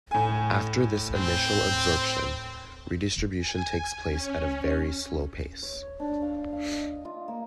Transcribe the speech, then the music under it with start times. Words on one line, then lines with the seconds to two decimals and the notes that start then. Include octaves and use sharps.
After this initial absorption, redistribution takes place at a very slow pace.
0.11 A2 G#5
1.15 C4
3.37 G#5
4.06 C#4
5.63 C#5
6.00 D4
6.22 F5
6.52 F5
6.72 D#5
7.05 F4
7.28 A#3